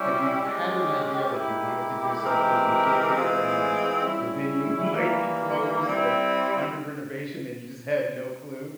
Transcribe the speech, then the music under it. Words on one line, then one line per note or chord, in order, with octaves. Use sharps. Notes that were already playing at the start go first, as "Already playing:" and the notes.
have you had an idea, like, you wanted to do something, you get there and the venue might be closed or under renovation and you just had no clue?
Already playing: G3 C#4 E4 G4
G#3 C#4 G4
G#3 E4 G4 A#4
E3 G#3 C4 G4 A#4
E3 G#3 C4 F4 G#4
G3 C#4 E4 G#4
E3 G3 A#3
G3 C4 E4